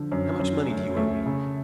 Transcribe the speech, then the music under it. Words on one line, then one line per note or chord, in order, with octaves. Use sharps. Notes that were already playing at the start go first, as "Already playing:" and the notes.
"How much money do you owe me?"
Already playing: D3 F3
F#2
F#2
A3
A3
C#3